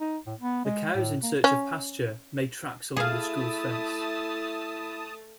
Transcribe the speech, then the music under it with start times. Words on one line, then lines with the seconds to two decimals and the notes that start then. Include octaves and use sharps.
The cows in search of pasture, made tracks along the school's fence.
0.01 D#4
0.27 A2
0.39 B3
0.65 G#3
0.95 A2
1.23 A#3
1.44 C#4
2.97 A3 E4 G#4 F5 A5 D#6